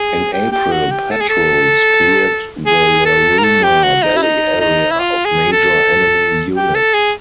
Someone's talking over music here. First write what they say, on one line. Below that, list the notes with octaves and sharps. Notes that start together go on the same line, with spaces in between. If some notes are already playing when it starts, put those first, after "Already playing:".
In April patrols cleared the Laruma Valley area of major enemy units.
Already playing: G#4
G4
G4
F#4
G4
A4
G#4
A4
G#4
A4
A#4
A4
G4
F#4
D#4
E4
D#4
D#4
E4
F4
G#4
A4
G4
A4
G#4